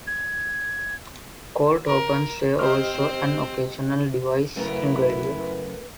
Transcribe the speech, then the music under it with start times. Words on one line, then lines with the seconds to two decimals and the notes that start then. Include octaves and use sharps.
Cold opens were also an occasional device in radio.
0.07 G#6
1.87 A#4
2.59 C4 G4 C5 D#5 F6
4.56 F#2 C#3 A3 B3 E4 A#4 B4